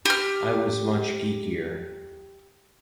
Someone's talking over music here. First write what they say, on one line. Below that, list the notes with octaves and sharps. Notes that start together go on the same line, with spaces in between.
I was much geekier.
G4 F6